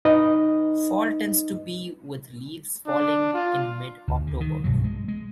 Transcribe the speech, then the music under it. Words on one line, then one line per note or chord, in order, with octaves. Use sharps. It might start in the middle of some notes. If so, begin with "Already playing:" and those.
Fall tends to be with leaves falling in Mid-October.
D#4 B4 D#5
D4
F4
D2
D3
D#3
B1 G2 B2 F#3
G#3
G#3